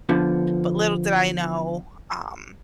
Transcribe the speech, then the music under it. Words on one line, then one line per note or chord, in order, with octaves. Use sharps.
But little did I know, um,
D3 F3 B3